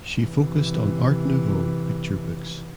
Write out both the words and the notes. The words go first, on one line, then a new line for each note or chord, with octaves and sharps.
She focused on Art Nouveau picture books.
C3 E3